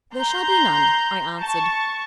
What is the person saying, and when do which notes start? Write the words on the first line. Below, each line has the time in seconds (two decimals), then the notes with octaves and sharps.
'There shall be none,' I answered.
0.16 A#5 C6 G6
1.40 A5 C#6